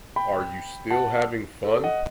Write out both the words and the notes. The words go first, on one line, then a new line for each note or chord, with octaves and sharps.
Are You Still Having Fun?
G5 B5
F#5 A5
A4
D#5 F#5